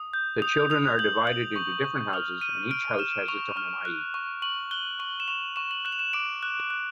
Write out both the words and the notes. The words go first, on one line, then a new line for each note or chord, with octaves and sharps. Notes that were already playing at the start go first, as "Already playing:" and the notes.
The children are divided into different houses and each house has its own 'amayi'.
Already playing: D#6
G6
D#6 F7
D#6 F7
G6 F#7
G6 F#7
C#6
C#6
F6 F7
F6 D#7
F6 D7
F6 E7
C#6 F7
F6
F#6
C#6
C#6 F#7
F#6 G7
C#6 F#7
E7
C#6 F7
C#6 E7
F#7
F#6 E7
F7
E7
D6 D7
F#6
F#6